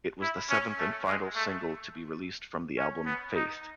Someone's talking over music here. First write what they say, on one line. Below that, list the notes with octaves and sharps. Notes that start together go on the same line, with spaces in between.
It was the seventh and final single to be released from the album "Faith".
E4
C#4
A3
G#3
A3
C#4
B3
D#4